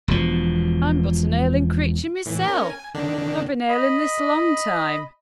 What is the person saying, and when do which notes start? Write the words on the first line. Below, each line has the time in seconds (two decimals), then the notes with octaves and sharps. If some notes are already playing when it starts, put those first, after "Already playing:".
I'm but an ailing creature mysel'--I've been ailing this long time.'
0.08 E1 B2 F3
2.26 A2 E3
2.44 C#4 A#4
2.70 G#5
2.94 D3 D#3 D4
3.69 D#5 B5